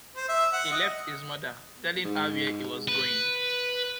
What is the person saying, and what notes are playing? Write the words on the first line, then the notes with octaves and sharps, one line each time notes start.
He left his mother, telling her where he was going.
C5
E5
F#5
D#5
G#2
B4